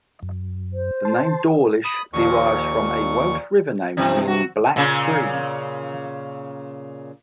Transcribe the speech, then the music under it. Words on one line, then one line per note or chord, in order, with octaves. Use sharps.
The name "Dawlish" derives from a Welsh river name meaning "black stream".
F#2
C5
A5 C6
B5 D#6
D#2 A#2 F3 C#6
G2 C3 E3 C4
F#4
A#2 C#3